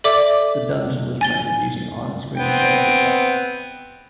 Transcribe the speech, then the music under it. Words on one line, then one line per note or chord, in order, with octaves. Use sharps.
The dungeon was rendered using on-screen character graphics.
A4 D5 E5 D6
G#5 A6 G7
B3 C4 G5